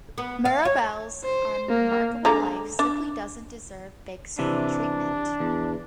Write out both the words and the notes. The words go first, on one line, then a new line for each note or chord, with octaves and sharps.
Mirabelle's unremarkable life simply doesn't deserve big screen treatment.
B3
F5
C#5
C5
A#3
D3 G#3 A#5
D4
C3 E3 D4
E2